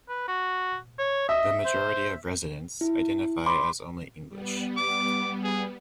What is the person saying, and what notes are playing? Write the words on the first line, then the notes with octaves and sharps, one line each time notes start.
The majority of residents identify as only English.
B4
F#4
C#5
D#5 E5
C5
E4
B5 C6 D6
G3 B3
D6
G#4